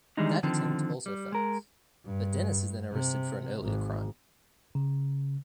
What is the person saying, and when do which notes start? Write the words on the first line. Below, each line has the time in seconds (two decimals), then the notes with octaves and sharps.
That attempt also fails, but Dennis is then arrested for an earlier crime.
0.17 D#3 E3 G3 G#3 D4 D#4
0.43 D3 D#3 F3 C4
1.06 G3
1.32 G#3 A#4
2.05 G2
2.92 C3
3.63 G#1
4.75 C#3